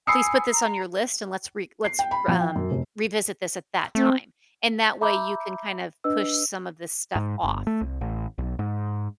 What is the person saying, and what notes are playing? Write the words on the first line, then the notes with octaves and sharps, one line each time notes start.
please put this on your list, and let's re let's, r um, revisit this at that time," and that way, you can kind of push some of this stuff off,
G#5 B5 D#6 E6 C7 C#7
A#5
C7
G5
B5
F3
G5
F#2
F1
A3 C4
E5 A#5 B5 D6 E6 G6
D4 B4 D#5 E6
G#2
G1
A3
C2
A1
B1
G#2